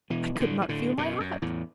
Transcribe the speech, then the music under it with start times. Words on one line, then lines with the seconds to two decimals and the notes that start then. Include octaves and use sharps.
I could not feel my heart.
0.10 B2 E3
0.35 E3
0.40 A2 D3
0.62 E3
0.69 A2 D3
0.98 F#2 B2
1.20 F#2
1.42 E2 A2